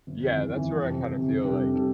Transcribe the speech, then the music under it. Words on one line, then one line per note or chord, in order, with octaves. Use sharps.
yeah, that's where I kinda feel like,
G1
F2 E3
G1
F2 E3
G1
F2 C3
G1
F2 C3
F2
C3 G3 D4 A4
F2
C3 G3 D4 A4